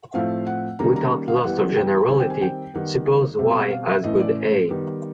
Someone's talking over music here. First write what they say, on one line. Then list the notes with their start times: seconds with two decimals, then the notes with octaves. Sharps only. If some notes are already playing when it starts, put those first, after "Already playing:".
Without loss of generality, suppose Y has good A.
0.14 A2 F3 A3 C4 F5
0.47 F#5
0.79 D#3 G3 A#3 C#4 A#5
0.96 A#5
1.28 F5
1.44 E3 G3 B3 F#5
1.77 G5
2.09 D#3 G3 C4 G#5
2.20 G5
2.30 G#5
2.42 G5
2.74 D#3 G3 B3 F#5
3.06 F5
3.39 B2 G3 C4 E5
3.55 F5
3.71 F5
3.88 E5
4.04 A2 E3 A3 C#4 D#5
4.20 D5
4.69 D#3 G3 B3